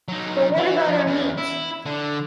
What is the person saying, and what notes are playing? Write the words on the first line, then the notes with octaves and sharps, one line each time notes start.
But what about our meat?
F#3 D#4
E3
F3
E2
E4
D3